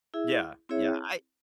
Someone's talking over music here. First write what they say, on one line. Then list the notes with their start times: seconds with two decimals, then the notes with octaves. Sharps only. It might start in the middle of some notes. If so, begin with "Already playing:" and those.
Yeah, yeah, I
0.14 E4 G#4 E5
0.69 C4 E4 G#4 C#5 E5